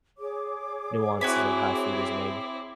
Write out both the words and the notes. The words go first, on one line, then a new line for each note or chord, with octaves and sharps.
nuances of how food is made.
G#4 C#5 D6
C4 E4 F#4 G#5 B5